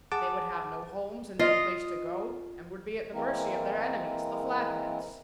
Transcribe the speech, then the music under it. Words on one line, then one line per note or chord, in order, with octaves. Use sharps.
"They would have no homes and no place to go, and would be at the mercy of their enemies, the Flatheads."
G#4 F#5 A5 D6
F4 D#5
E3 G#3 A#3 C4 E4 A#4